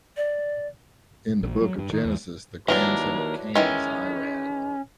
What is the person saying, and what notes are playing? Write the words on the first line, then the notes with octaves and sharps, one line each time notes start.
In the book of Genesis, the grandson of Cain is Irad.
D5
A#1
F#3
G2
D#3
E2
D#2 E3 F#3 D4 A#4
D#3 E3 G#3 C#4